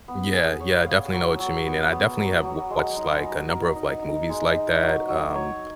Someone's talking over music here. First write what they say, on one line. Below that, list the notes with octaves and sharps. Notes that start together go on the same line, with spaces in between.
Yeah, yeah, definitely know what you mean, and I definitely have w watched, like, a number of, like, movies like that. Um,
B3
G#4
C#5
F5
F#3
F#3
B3
B3
F#3
F#3
G#3
D#4
A#4
A#4
D#4
D#4
G#3
D#4
F#3
F#3
C#5